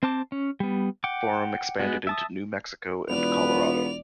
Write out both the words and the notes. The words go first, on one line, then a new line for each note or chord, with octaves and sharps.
Forum expanded into New Mexico and Colorado.
C4 C5 A5 D6
C#4
G3 B3
F#5 G5 D6
G#3 B3 F#4
E5 A5 D#6
E1 B3 F4 B4 D5 F7